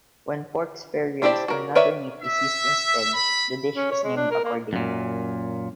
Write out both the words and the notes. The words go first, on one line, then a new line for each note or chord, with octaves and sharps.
When pork spareribs or another meat is used instead, the dish is named accordingly.
D4 E4 G4 C5 D5
F#4 A#4
A#4 B4 C#5 D5 E5
E5
B5
C#4
C#5
G#3
D4
A#4
A#3
F#2 A#2